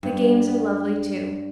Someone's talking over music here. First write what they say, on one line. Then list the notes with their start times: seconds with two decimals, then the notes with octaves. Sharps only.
The games are lovely, too.
0.03 G2